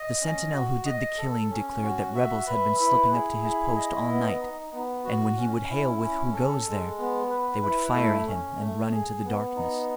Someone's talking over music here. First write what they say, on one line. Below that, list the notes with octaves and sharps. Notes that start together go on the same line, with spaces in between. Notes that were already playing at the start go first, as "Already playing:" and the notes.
The sentinel who did the killing declared that Rebels had been slipping up to his post all night, and when he would hail with "Who goes there?" they would fire at him and run into the darkness.
Already playing: D#5
C#4
F#4
D#5
A4
C#4
F#4
E5
B4
E4
G#4
E4
D#5
B3
D#4
B3
F#4
C#4
E4
C#4
A4
G#3
B3
B4
E4
A3
C#4
A3
G#4
B3
D#4